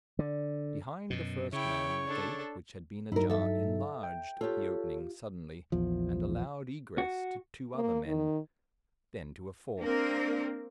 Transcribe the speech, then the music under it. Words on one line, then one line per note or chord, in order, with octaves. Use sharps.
Behind the first man the gate, which had been ajar, enlarged the opening suddenly, and allowed egress to two other men; then to a fourth.
D3
F#2 B2
C#3 E4 C#5 G5
D4 A4
G2 F#3 D#4 E4 A#4
A4 E5
G5
F4 G4 A4 C#5
A#1 E2 F3
F#4
A#3
D#3
A#3 C4 D4 A#4